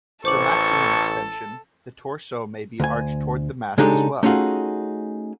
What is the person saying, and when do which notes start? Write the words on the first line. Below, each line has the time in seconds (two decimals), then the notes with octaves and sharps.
For maximum extension, the torso may be arched toward the mast as well.
0.25 A1 A4 C5 C#6 D6 F#7
2.80 D2 G#5
3.78 C#3 G#3 D4 D#4 G4 A4
4.23 A3 C#4 D#4 F4 F#4 G#4